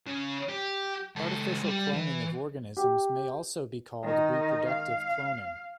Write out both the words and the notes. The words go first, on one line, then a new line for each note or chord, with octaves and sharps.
Artificial cloning of organisms may also be called "reproductive cloning".
C#3
G4
C#2 A4
G3
E3
G4
D#3 D#4
F5